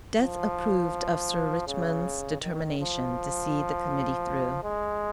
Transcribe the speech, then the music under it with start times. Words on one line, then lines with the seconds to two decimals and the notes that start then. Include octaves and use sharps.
Death approved of Sir Richmond's determination to see the Committee through.
0.19 F3
1.67 C#3
2.41 D#3
2.79 F3
4.63 G#3